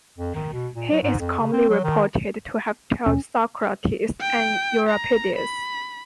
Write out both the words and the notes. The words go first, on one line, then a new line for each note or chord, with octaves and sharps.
He is commonly reported to have taught Socrates and Euripides.
F2
D#3
B2
A#2
F#3
G#2
F2
C#3
C4
F#3
D#3
D#2 B2 A3 C#4
G5
A#5
B5